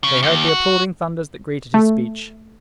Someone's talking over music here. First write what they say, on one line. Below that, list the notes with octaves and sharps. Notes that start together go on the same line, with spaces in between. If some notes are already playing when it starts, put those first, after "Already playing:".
They heard the applauding thunders that greeted his speech.
C#3
D#2
F#4
A3